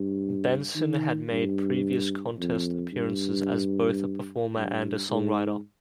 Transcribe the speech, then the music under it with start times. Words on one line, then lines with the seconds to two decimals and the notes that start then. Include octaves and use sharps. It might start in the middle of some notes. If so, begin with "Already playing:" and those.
Benson had made previous contest appearances as both a performer and a songwriter.
Already playing: G2
0.75 D#3
1.30 G2
2.39 F2
2.93 G2
4.55 G2
5.09 G#2